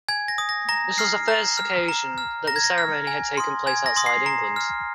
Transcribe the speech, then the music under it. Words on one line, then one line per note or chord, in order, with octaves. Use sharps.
This was the first occasion that the ceremony had taken place outside England.
G#5 G#6
A#6
D#6
A#6
A#5 A#6
F6 C7
A#5
F6
A#5
F6
A#5 A#6
G#6
A#6
F6
G#5
C6 D#6
G#5 G#6
A#6
C6 D#6
C7
A#5
F6